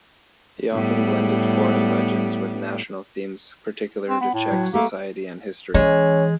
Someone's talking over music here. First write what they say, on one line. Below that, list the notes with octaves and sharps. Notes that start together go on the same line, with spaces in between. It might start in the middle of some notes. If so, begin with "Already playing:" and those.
He often blended foreign legends with national themes particular to Czech society and history.
A2 G3 B3
C4
B3
A2
F#3
A3 A#3 G4
E3 G#3 C#4